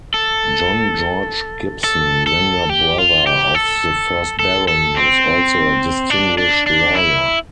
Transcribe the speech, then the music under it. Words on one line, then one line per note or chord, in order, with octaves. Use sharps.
John George Gibson, younger brother of the first Baron, was also a distinguished lawyer.
A4
A4
A4
G4
F4
G4
A4
A4
A4
C4
D4
D4
D4
E4